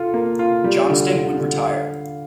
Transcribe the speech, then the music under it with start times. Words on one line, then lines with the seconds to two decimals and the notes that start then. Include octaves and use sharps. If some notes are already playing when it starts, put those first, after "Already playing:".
Johnston would retire.
Already playing: F4 A4
0.14 A#3
0.39 F4
0.64 G3
0.90 D3
1.14 D3
1.40 D3
1.66 F5